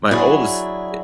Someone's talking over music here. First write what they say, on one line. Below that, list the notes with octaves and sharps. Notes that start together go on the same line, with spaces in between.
My oldest i
F#3 D4 E4 F#4 G#4